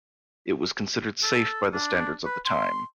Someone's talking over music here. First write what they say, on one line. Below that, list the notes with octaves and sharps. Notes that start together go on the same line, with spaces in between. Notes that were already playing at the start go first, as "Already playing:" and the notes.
It was considered safe by the standards of the time.
A4
D4
B4
C6